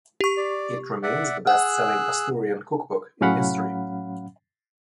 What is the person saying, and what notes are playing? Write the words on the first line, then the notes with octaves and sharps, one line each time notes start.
It remains the best selling Asturian cookbook in history.
G4 C#6
D5
D5 E5 F#5
G#4 F#5 E6 F#6
A2 F#3 C#4 F5 F#5 B5